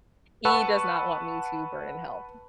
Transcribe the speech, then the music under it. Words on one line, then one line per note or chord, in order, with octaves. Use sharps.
he does not want me to burn in hell.
B4 F#5 A5 C#6 E6